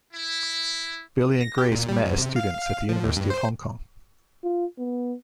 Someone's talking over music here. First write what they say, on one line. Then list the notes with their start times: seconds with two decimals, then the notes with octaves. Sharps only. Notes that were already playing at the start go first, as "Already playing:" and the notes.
Billy and Grace met as students at the University of Hong Kong.
0.13 E4
1.41 A#6
1.58 G4
1.71 A#2
1.89 G3
2.06 F#2
2.18 C3
2.36 F5
2.62 F5
2.89 F3
3.04 D#2
3.17 G2
3.30 C5
4.43 F4
4.78 B3